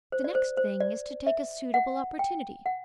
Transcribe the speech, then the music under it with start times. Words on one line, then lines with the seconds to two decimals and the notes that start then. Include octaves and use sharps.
The next thing is to take a suitable opportunity.
0.12 C5
0.24 D5
0.35 C5
0.57 C5
0.80 D5
1.27 E5
1.74 F#5
2.19 G5
2.66 F#5